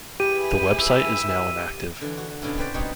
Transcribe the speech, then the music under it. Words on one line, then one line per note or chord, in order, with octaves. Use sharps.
The website is now inactive.
E4 G4 G#4 B4 D#7
E5
D3 E3
F#4
B2 D3 C#4 E4
C4 B4 C5 D5
B2 G3 C4 D#4 B4 C#5